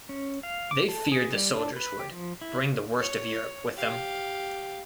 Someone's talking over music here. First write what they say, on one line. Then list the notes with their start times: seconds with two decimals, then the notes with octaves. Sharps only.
They feared the soldiers would "bring the worst of Europe" with them.
0.09 C#4
0.43 F5
0.71 D6
0.89 A4
1.12 G#4
1.34 G3
1.53 D4
1.76 B4
1.99 G4
2.11 F3
2.41 E4
3.00 C#5
3.77 G4 F5